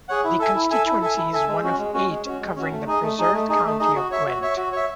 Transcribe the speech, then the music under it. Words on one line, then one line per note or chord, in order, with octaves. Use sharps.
The constituency is one of eight covering the preserved county of Gwent.
G#4 C#5 F#5
E4
A4 E5 G#5
E4
A4 E5 G#5
E4
A4 E5 G#5
E4
A4 E5 G#5
G#3
C#4 F#4
G#3
C#4 F#4
G#3
C#4 F#4
G#3
C#4 F#4
A3
D#4 G#4 D#5
A3
D#4 G#4 D#5
A3
D#4 G#4 D#5
A3
D#4 G#4 D#5
F#4
C#5 E5
F#4
C#5 E5
F#4
C#5 E5